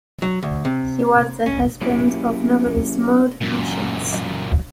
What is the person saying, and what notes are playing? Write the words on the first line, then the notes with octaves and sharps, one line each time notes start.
He was the husband of novelist Maude Hutchins.
F#3
D2
C3
C#4
F#3 A#3 C#4 E4 G4
F#2 A#2